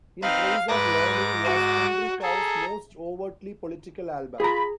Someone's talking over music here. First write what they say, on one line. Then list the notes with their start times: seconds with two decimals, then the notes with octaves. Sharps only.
"In Praise of Learning" was Henry Cow's most overtly political album.
0.22 C4 D#4 B4 F5
0.68 G#2 B4 D6 A#6
1.45 F#4
2.23 G#4 A4 A#5
4.40 F4 G#4 A#5 B5